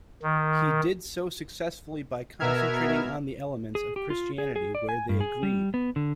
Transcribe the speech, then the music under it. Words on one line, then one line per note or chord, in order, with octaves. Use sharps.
He did so successfully by concentrating on the elements of Christianity where they agreed.
D#3
B2 B3 A#4 E5 F6 G#6
G#4
G4
F4
G#4
G#4
D5
G#5
G2
G#4
G3
B3
D3